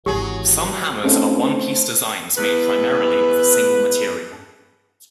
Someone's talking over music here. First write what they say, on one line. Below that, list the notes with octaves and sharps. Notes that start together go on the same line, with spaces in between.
Some hammers are one-piece designs made primarily of a single material.
G#1 E3 F#3 G4 G#4
A3 C4 C#4 D#4 F4 A4
E2 B4